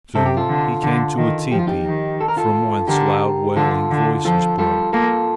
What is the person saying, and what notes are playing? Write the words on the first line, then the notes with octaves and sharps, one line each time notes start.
Soon he came to a teepee from whence loud wailing voices broke.
C3 A4
G4
F4 A4
D3
D3
D#3
F3 G4
F4
D#4 G4
D#3
A4
A#4
F4 A4
D3 G4 A#4
D3 F4 A4
D3
F3 F4 A4
G3 F4 A4
A#3 F4 A4